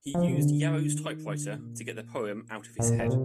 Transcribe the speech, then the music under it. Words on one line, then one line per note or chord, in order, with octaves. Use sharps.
He used Yarrow's typewriter to get the poem out of his head.
F3
C3
D3
D#3
D3
A#2
A#2
A#2
C3